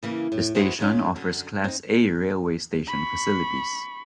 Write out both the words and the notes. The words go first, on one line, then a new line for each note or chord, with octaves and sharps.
The station offers Class A railway station facilities.
C#3 E3 A#3 G#4
A2
E4 F#4 G#4 B4 C5
D#3 G#3 C#4 F4
F#2 D3
C4 D#4
B5 C#6